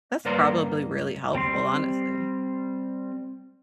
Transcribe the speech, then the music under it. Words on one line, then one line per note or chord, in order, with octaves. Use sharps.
That's probably really helpful, honestly.
G2 A#3 B4 D5 A#5 C6
G3 C4 C6